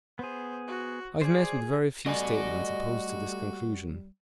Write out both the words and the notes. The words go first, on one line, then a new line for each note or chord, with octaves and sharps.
I have met with very few statements opposed to this conclusion.
B3 G#4 C5
F#4
G#4 C5 D5
G3 A3 F#4 D5 D#5 G#5 B5